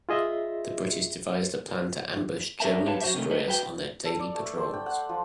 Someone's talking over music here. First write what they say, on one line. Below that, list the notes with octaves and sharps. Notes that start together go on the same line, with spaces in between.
The British devised a plan to ambush German destroyers on their daily patrols.
F4 G#4 D#5 E5
C#4 D4 A4 A#4 E5 A5
G4 B4 C#5 F5 A5
F#3 F#4 C5 E5
C3 D#3 A3
G3 B4 D#5
F#4 B4 G5
A4
D5
A3
C5
G5
F#5
F3